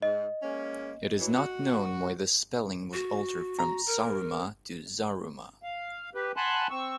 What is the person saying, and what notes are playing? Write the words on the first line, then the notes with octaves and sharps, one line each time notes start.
It is not known why the spelling was altered from "Saruma" to "Zaruma".
G#2 D#5
G#3 A#3 C#4
E3 F#3
F#4
F#4
A#5
A#4
F5
G4 B4
F#5 G#5 A5 B5 C6 F#6
C4 C#6 E6